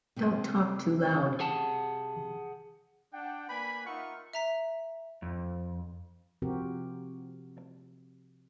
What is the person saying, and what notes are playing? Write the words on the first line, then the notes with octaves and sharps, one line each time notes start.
Don't talk too loud.
C3 G3 A3
G#4 F#5 A5
D4 F#5 G5
A#3 B4 D5 G#5 B5
D#4 F4 A#4 E5 F#5 C#6
E5 A#5 B6
F2
C3 F3 C4 F#4 G4 A#4